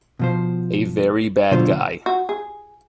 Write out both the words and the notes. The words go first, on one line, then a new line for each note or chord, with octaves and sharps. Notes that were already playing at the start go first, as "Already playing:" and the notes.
A very bad guy.
B2 F3 C5
B2 D3 F#3 F4 C5
F#4
G#4